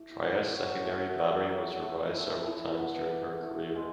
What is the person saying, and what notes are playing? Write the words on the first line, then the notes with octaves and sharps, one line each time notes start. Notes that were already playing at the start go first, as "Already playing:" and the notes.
"Trieste"s secondary battery was revised several times during her career.
Already playing: A3 E4 D6
F#3
F#3
A3
F#3 E6
F#3
A3
E4
E4
B3
E4 D6
A3
G#3